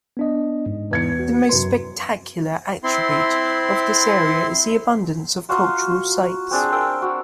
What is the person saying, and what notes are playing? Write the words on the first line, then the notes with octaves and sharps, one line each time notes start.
The most spectacular attribute of this area is the abundance of cultural sites.
B3 D4 D#5
G#2
E2 G#6 C#7
F#4
F#2 B4 C6
C4 E4 C6
F4 F#4 A#5 C6
C4 D4 G#4
A#4 G5 E6
F#4